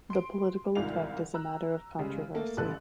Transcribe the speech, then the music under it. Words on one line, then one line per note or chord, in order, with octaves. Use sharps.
The political effect is a matter of controversy.
C6 D7
C2 G#2 D#3 F4 F5 F7
A#5 E6 F#6
C#3 G3 G#3
A3 A#3 A4
A1 C#3 G3 A4 F#6